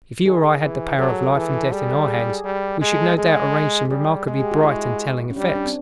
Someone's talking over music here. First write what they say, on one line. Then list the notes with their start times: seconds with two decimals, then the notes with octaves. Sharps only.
If you or I had the power of life and death in our hands, we should no doubt arrange some remarkably bright and telling effects.
0.25 D#3 G#4
0.44 G#4
0.61 E3
0.98 F#3 A4
1.10 G#4
1.23 A4
1.35 E3 G#4
1.53 A4
1.72 G3 G#4
1.90 A4
2.08 G#4
2.19 G4
2.30 G#4
2.44 G3
2.81 G#3 G#4
2.92 A4
3.03 G#4
3.18 G#3 G#4
3.85 G#4
3.90 G3 G4
4.27 G#3 G#4
4.40 G4
4.51 F#4
4.63 E4
5.30 C#4
5.36 G3 D4
5.55 D4
5.65 C4